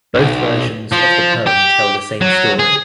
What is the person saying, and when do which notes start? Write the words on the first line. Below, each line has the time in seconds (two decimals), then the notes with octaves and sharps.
Both versions of the poem tell the same story.
0.15 B1
0.93 F3
1.47 G4
2.21 F#3
2.59 G#4